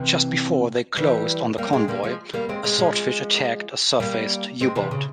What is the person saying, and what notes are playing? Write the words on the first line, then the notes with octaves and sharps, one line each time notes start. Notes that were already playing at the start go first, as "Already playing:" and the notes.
Just before they closed on the convoy a Swordfish attacked a surfaced U-boat.
Already playing: C3 E3
E3 G3
G3 A#3
G#3 C4
G3 A#3
F3 G#3
G3 A#3
G#3 C4
G#3 C4
F3 G#3
G3 A#3
G#3 C4
C3 E3
C#3